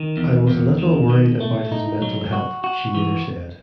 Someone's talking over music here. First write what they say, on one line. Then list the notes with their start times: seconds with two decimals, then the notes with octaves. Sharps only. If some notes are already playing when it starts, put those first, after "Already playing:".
"I was a little worried about his mental health," she later said.
Already playing: D#3
0.17 E2
0.48 E2
0.79 D#3
1.10 B2
1.40 A3
1.72 D#4
2.02 F#3
2.33 F#4
2.64 F#4
2.95 E3